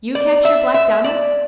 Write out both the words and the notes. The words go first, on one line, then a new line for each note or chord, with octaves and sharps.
You capture Black Donald!
D5
E5
E5
D5